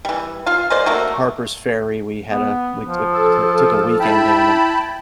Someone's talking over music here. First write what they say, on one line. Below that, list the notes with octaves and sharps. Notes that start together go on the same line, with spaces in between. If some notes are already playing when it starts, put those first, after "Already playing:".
Harpers Ferry, we had a we took to took a weekend in, and
E3 G3
F4 F5
G#3 C5 D5
F#3 A3 A#3
B3
F3
A4
E4 G5 A5 B5